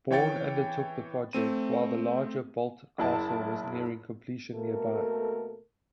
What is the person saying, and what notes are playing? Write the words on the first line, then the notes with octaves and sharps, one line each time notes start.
Bourne undertook the project while the larger Boldt Castle was nearing completion nearby.
E3 C#5 G5 A6 C#7
A3 C4 D#7
F#1 E4 A5
B2 A3 A#3 A4 A#4